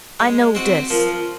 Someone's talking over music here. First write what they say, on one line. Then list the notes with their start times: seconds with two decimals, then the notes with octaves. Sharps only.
I know this.
0.20 G#3
0.55 C4 F#4
0.90 F3 A#4